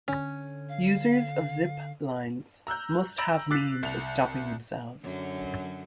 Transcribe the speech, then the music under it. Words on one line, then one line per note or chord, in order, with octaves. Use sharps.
Users of zip-lines must have means of stopping themselves.
D3 C#4
F5
A#5 E6 F#6 G6
A#5 B5 E6 G6 A#6 D7
D6 E6 F#6 A6 B6 C7
C2 F7
F#2 D3 F#3